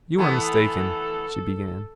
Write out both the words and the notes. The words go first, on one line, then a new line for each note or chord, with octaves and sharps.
"You are mistaken," she began.
E3 A3 B3 A4